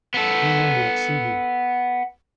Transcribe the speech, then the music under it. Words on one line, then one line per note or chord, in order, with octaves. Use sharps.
You will not see him.
B3 A4